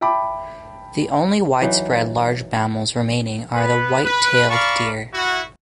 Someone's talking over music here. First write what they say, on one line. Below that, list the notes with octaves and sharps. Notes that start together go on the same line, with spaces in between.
The only widespread large mammals remaining are white-tailed deer.
E5 G5 A5 B5 D6
E3 F#3 D#4
B3 B4
B4
A#4 D5 F5 A5 B5 C#6
E4 F#4